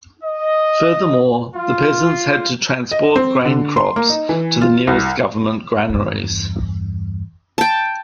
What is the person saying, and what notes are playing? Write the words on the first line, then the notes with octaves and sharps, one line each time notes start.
Furthermore, the peasants had to transport grain crops to the nearest government granaries.
D#5
F4
D#5
C4
D3
C6
A#3
D#4
E3
F4
C2
E2 G2
G5 A5